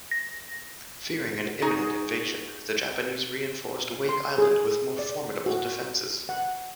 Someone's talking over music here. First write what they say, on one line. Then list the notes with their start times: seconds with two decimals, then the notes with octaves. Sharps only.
Fearing an imminent invasion, the Japanese reinforced Wake Island with more formidable defenses.
0.11 A#6
1.62 D#4 F#4 G#4
4.09 C6
4.38 G#4
4.99 D5
5.46 F#4
6.29 F#5